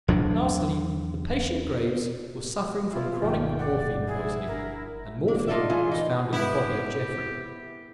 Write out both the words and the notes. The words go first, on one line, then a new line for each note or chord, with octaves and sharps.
Lastly, the patient Graves was suffering from chronic morphine poisoning, and morphine was found in the body of Jeffrey.
E2 F#3 D4
E4 F4
G1 B2 D#3 F3 D5 G5
D5 F#5
E4 G#4
G1 D4 A#4
D4
D#4 F4 G4 A4 D5 E5
E3 F4 G#4
D#4
B3 E4 G4 B4